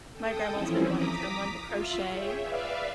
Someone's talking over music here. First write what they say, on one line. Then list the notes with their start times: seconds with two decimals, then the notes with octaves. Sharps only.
My grandma's been wanting someone to crochet,
0.12 A4 G5 D#6
0.50 E3 F3 C4 C#4 E4
0.83 A#5 D6 D#6 B6
1.65 F4 E5
2.08 G#4 C#5 E5 G5
2.41 B4 D5 E5 F5